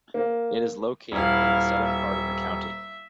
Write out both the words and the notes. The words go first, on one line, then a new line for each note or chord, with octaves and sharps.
It is located in the southern part of the county.
A#3
D#1 E4 F5
E5